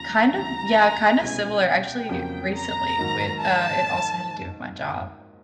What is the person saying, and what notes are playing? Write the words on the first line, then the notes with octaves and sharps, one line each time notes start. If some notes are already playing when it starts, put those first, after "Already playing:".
Kind of yeah, kind of similar, actually, recently, with, uh it also had to do with my job.
Already playing: D#2 C#3 F3 A#5
D2 C#3 E3 G3 A#5
C2 B2 G#3 C#4 E4 G#5
G5
F2 C#3 F#3 A#3
A#5
G#2 D#3 F#3 A#3 D#4
A5